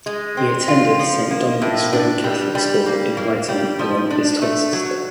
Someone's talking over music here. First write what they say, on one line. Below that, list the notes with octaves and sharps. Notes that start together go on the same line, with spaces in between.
He attended Saint Dominic's Roman Catholic school in Huyton along with his twin sister.
G#3
C4
F4
F3
A#3
A2
D4
G3
G3
A#3
A#3
G3
F3
D4
A3
F#3